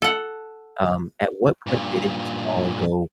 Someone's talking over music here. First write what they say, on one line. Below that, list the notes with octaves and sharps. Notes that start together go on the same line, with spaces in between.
um, at what point did it just all go
A4 F#5
G2 A#2